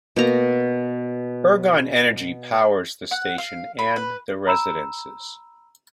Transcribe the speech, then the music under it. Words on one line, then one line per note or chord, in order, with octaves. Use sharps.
Ergon Energy powers the station and the residences.
B2 A#3 A#5
F#5
F5
B5
B4
A#5 B5 E6 E7